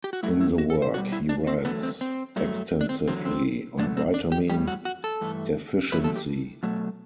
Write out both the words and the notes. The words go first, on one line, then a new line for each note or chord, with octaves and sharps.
In the work, he writes extensively on vitamin deficiency.
G4
F#4
A2 F#3 A3 E4
E4
F#4
A4
C5
B2 G3 F#4
E4
D4
C4
E2 D3 F#3 A3 B3
C4
C4
G2 F#3 A3
D4
C4
E2 D3 F#3 C4
C4
B2 F#3 A3 D4
C4
D4
G4
A2 G3 G4
F#4
F#4
A4
G2 E3 A3
E2 D3 F#3 A3 B4
A4
G4
B2 F#3 A3